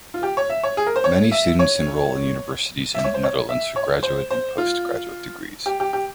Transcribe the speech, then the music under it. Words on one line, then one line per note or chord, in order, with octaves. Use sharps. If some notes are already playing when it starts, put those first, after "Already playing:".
Many students enroll in universities in the Netherlands for graduate and postgraduate degrees.
F4
G4
C#5
E5
C#5
G#4
A#4
C5
C#5
E5
C#5
E5
C#5
C5
C#5
E5
C#5
C5
C5
F4
G4
G4
G4